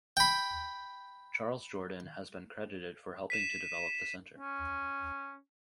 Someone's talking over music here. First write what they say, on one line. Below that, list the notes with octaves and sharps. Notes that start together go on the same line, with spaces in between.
Charles Jordan has been credited for helping to develop the center.
G5 B5
B6 D#7 E7
C#4